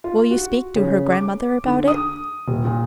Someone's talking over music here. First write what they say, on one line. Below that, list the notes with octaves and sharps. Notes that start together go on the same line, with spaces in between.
Will you speak to her grandmother about it?
F4
F#4
C#3
D6
D3
D#6
D#1
A#2